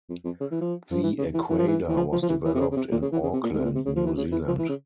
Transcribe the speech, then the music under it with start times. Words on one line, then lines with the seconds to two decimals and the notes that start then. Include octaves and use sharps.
The Aquada was developed in Auckland, New Zealand.
0.09 F2
0.24 F2
0.40 C#3
0.51 E3
0.61 F3
0.91 F3
1.03 E3
1.18 C#3
1.34 E3
1.50 E3
1.58 F3
1.67 E3
1.89 E3
1.97 F3
2.12 F3
2.23 F3
2.29 E3
2.45 E3
2.54 C3
2.60 C#3
2.71 C#3
2.76 C3
2.91 A#2
3.02 C#3
3.12 E3
3.23 C#3
3.33 C3
3.43 A#2
3.53 G#2
3.59 C3
3.64 A#2
3.75 C3
3.86 C#3
3.96 F3
4.06 E3
4.17 C#3
4.32 E3
4.47 F3
4.59 E3
4.69 C#3